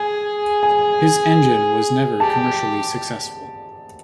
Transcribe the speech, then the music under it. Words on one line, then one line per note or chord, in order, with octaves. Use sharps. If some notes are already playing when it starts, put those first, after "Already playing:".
His engine was never commercially successful.
Already playing: G#4 G#5
G#5
G4 A5